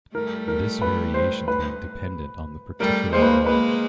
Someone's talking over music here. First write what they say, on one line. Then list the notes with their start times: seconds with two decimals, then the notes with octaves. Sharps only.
This variation being dependent on the particular lodge.
0.15 G3 A3 A#4
0.48 A#4
0.82 B4
1.14 C5
1.48 B4
2.79 G3 A3 A#4
3.13 G#3 A#3 C5
3.22 B4
3.31 C5
3.46 G#3 A#3 B4